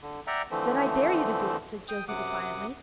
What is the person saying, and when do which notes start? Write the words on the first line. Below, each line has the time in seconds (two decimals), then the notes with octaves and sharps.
"Then I dare you to do it," said Josie defiantly.
0.01 D3
0.27 D5 E5 F#5 G5 A#5
0.51 D3 E3 F3 A3 C4
1.89 G5 D#6
2.08 F#2 C3 F#5 D6 D#6